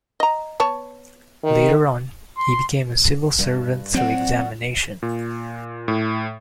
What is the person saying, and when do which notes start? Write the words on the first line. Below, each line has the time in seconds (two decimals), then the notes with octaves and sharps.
Later on, he became a civil servant through examination.
0.20 D#5 A#5
0.60 B3 C#5 A5
1.44 D#3
2.38 C6
3.39 G2
3.94 F#3 C4 D4 F#4
5.02 A#2
5.88 A2